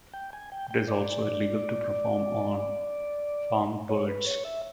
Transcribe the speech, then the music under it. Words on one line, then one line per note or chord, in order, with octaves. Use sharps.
It is also illegal to perform on farmed birds.
G5
G#5
G5
G5
D5
C#5
B4
C#5
E5